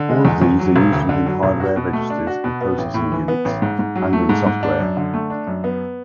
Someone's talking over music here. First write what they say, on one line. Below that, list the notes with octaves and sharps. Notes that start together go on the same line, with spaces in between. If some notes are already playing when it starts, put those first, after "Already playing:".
All of these are used within hardware registers and processing units, and in software.
Already playing: D3
G#3
E2
E2
F#3
E1
D2
D3
F#3
E1
F#4
B2
A3
D4
F#4
B2
B3
A1
A2
E3
B3
A1
G#2
G#2
F#3
A3
G#2
G#2
D4
F#2
D3
A3
D4
F#2
B3